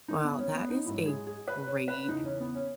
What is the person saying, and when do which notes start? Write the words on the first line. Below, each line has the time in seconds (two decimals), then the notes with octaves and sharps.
Well, that is a great
0.08 D#4
0.24 B3
0.39 C#4
0.55 B3
0.70 D#4
0.86 G#2 F#3 E4
1.06 G#4
1.27 G#4
1.48 B4
1.67 C#5
1.88 B4
2.09 E2 C#3 E3 D#4
2.25 C#4
2.40 B3
2.55 C#4